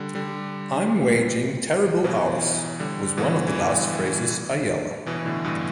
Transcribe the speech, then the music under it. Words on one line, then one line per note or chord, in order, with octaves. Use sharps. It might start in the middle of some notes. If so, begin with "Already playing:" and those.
"I'm waging terrible hours," was one of the last phrases Ayala.
Already playing: D3 G3
D3 G3
B2 E3
D3 G3
B2 E3
E3
D3 G3
B2 E3
B2
A2 D3
G2 B2